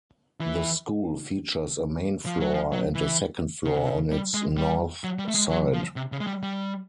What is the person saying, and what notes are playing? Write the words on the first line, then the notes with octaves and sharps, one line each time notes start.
The school features a main floor and a second floor on its north side.
E3
F3
F#3
F3
F#3
E3
C#3
C3
C#3
G3
G#3
G3
F#3
G3
A3
G#3
F#3
F3
C3
C#3
G#3
G3
G3